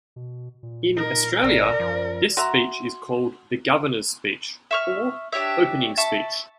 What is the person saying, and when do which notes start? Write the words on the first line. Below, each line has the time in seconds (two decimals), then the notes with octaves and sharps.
In Australia, this speech is called the "Governor's speech" or "opening speech".
0.16 B2
0.63 A#2
0.97 D#4 A#4
1.43 G#1 A#4 D5
1.80 F#2 F3
2.37 F#4 E5 A#5 C6
4.71 E5 C#6 F6
5.32 D4 G4 C#5 E5
5.97 E5 A5 C#6